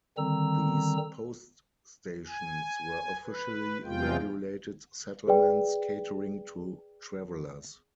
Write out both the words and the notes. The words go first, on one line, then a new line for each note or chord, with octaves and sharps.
These post stations were officially regulated settlements catering to travelers.
D3 D#3 G3 C4 A#5 E6
G#5
B4
E2 C3 G#3 F4 G5
G#4 B4 D5 G5